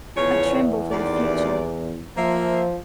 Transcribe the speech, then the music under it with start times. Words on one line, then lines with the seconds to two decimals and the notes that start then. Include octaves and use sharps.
I tremble for the future.
0.17 E2 C#3 F3 C#5
0.91 D#2 D5
2.17 F3 A#3 E5